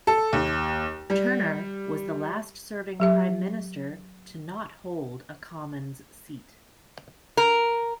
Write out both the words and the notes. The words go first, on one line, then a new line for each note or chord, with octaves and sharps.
Turner was the last serving prime minister to not hold a commons seat.
A4
D#2
G3
F#3 G4 E5
A#4